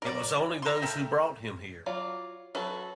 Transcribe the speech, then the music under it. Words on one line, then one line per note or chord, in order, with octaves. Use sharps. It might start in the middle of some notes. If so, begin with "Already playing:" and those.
It was only those who brought him here.
D#3 F#3 A#4 D5
A#5 C6
A4 A#4 E5 G5
F#3 F4 D5
F#3 F#4 A4 B4